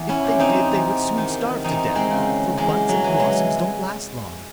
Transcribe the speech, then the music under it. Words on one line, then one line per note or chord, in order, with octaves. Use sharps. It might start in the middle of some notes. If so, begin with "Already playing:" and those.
If they did they would soon starve to death, for buds and blossoms don't last long.
Already playing: E2
C#4 E4
C3
C4 D#4
E2
D#3
E2 C4 D#4
G#3 C4
C#3
E2 G#3
F#3
E3
G#3